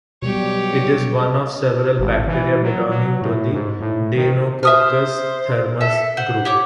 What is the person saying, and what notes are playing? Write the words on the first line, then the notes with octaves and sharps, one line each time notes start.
It is one of several bacteria belonging to the "Deinococcus-Thermus" group.
B2 F#3 G3 G4 C#5
G#1
E3
F#3
F#3
A2
G#2
A2
D#3
C5 E5 D#6 F6
A4 E5
C5 F#5
G4 C#5 D6